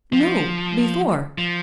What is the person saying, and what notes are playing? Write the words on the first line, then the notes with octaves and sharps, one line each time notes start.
"No, before."
F3
F3